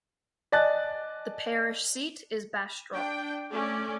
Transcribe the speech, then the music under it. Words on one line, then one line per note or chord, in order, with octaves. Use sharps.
The parish seat is Bastrop.
D5 D#5 G#5 A5 F#6 A6
D4 G5
A3 C#4 D5